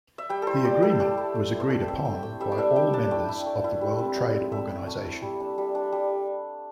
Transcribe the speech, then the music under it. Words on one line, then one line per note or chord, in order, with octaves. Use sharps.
The agreement was agreed upon by all members of the World Trade Organization.
E5
G3 G5
E4 A4 C5
G3 D5
E4 A4
A3 G4
E4
A3
E4
C5
A3 A4
C4 E5
E4 G5
A3 G5
G3 E5
D5
D4 E5
G3 G5
D4 A5
A3 G5
E4
A3
E4
G3
C4
E4
G3
A3 E5
E4
A3
E4
G3
D4
G3
D4
G3